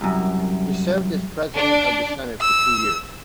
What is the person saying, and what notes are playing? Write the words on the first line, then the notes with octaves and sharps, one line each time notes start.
He served as President of the Senate for two years.
C2 F#2
D4
E6